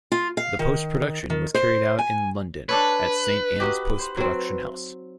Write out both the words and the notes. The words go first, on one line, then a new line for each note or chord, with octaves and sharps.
The post production was carried out in London at Saint Anne's post production house.
F4
F5
D#3
D#3
C5
G#5
D4 A4 B4 C#5
D#4 F#4 G4
C5
F#3 C4